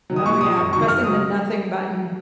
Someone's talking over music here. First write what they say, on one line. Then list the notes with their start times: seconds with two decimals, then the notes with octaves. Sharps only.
Oh, yeah, pressing the nothing button.
0.10 D#3 F#3
0.16 D#6
0.25 A#2 C#6
0.41 F3 G#3 D#6
0.57 F#2 C#6
0.72 D#3 F#3 C#6
0.88 F#2 F6
1.04 C#3 F#3 D#6